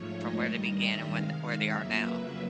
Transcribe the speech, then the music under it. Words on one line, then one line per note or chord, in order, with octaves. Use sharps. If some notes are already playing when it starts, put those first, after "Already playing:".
from where they began and when where they are now.
Already playing: G#2 F3 A3 C#5
D#5
G2 D#3 G3 D#5
E5
C3 D#3 G#3 F5
F2 C#3 F#3 A#3 E5
B4